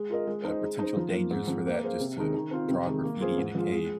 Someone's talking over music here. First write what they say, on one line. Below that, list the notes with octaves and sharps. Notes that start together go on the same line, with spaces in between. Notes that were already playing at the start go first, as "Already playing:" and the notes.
uh, potential dangers for that, just to draw graffiti in a cave.
Already playing: G#3
F4 A#4 D#5
G#3
D#4 C5 D#5
G#3
D#4 C5
F3
A#3 F4
G#2
F3 C4
A#3
G#4 C5 F5
C3
D#3 G#3 D#4 G#4
D#3
C4 F4
C3
D#3 G#3
A#3
F4 G#4 C5
G#2
F3 G#3 F4
G#3